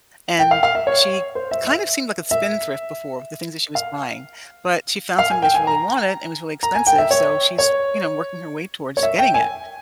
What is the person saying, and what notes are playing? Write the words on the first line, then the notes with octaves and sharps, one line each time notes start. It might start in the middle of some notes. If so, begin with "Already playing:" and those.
and, she kind of seemed like a spend thrift before- the things that she was buying- but she found something that she really wanted and was really expensive. So she's, you know, working her way towards getting it.
G5
F5
F5
E5
C#5
C5
E5
E5
E5
F5
F5
G#5
G5
G#5
A#5
A#5
G#5
G5
E5
C#5
C#5
C#5
E5
G5
G#5